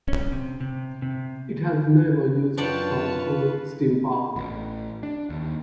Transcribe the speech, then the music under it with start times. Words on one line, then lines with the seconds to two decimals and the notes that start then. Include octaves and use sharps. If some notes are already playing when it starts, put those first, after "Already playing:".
It has never used horse or steam power.
0.08 C#4
0.32 C3
0.60 C3
1.02 C3
2.57 F#2 D4 F4 B4 C#5 D5 G5 A5
4.36 A1
5.03 D4
5.30 D#2